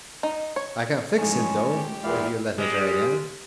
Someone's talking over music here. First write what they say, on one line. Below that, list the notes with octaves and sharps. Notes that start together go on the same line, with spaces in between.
I can fix it, though, if you'll let me try again.
D#4
C#5
G#2 E3 F3 G#3 A3 C#4 C#5 A5
G4
E2 A#2 E4 D5 F5
G3 G#3